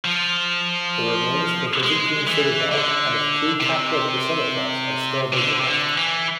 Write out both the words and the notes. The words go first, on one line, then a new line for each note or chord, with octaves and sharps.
The remains of a Byzantine citadel and of two Catholic basilicas are still visible.
F3
G#3
E3
D3
C3
C3
D3
C3
D3
E3